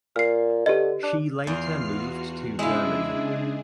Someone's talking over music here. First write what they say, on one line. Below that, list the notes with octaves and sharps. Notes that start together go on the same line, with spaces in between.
She later moved to Germany.
A#2 F6 C7
D3 G4 B4 D#5
D4 F#6
E2 F4 F6 C7
F#4
C#3 G#3 D4 E4 G#4 F5
D#4